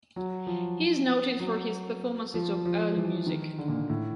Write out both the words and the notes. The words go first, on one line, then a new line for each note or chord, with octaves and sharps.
He is noted for his performances of early music.
F#3
F3
F#3
F3
F3
E3
D#3
D3
A#2
A#2
A2